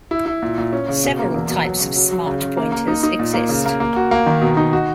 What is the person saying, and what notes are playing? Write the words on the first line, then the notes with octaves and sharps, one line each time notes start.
Several types of smart pointers exist.
E4
E4
A#2
A#2
C#4
C#3
B2
A#3
E2
B2
F#3
C#3
F#3
F#3
C#3
C#3
A#3
A#3
D#4
D#4
A#2
A#3
C#3
A#3
A#3
F#4
A#3
D#3
B2
D#4
F#4